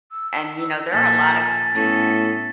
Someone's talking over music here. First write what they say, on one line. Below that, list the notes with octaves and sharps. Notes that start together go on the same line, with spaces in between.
and, you know, there are a lott g
E6
A#2 F3 A4 G#5 A6 B6
A2 B3 C#4 A4